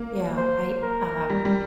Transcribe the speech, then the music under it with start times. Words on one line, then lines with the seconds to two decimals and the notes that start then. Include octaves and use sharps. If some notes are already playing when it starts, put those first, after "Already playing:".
Yeah, I, um
Already playing: A#3
0.37 C5
0.83 A#4
1.30 G3
1.45 G3